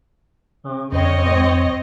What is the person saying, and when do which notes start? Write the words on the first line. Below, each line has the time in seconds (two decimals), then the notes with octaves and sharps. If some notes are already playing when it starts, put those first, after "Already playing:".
Oh, no.
0.92 F2 C4 C#5 D#5